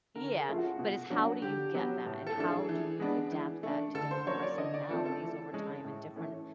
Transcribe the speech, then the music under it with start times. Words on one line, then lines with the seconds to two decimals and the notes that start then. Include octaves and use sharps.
yeah, but it's how do you get that? And how do you adapt that to different personalities over time and different,
0.15 D3 A#4
0.37 G#4
0.47 F3 A3 C#4 F4
0.58 F#4
0.79 B2 F#4
1.10 F#3 B3 D4 F#4
1.42 D3 G4
1.74 F#3 B3 G4
2.05 A2
2.27 A4
2.37 E3 A3 D4 A4
2.48 G#4
2.69 E3
3.00 G#3 B3 D4
3.32 E3
3.63 A3 D4
3.95 D3 A4
4.11 C5
4.27 F#3 A#3 C#4 C#5
4.42 D5
4.58 D3 D#5
4.74 D5
4.89 F3 A3 C4 A4
5.05 A4
5.21 E3
5.53 G#3 C#4
5.84 A2
6.16 E3 A3 C#4